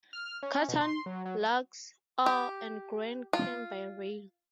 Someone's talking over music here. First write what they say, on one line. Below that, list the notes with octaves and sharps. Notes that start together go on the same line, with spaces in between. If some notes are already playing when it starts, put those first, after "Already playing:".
Cotton, logs, ore and grain came by rail.
F6
C#4
B2
C6
F#3
F#3
G4
F4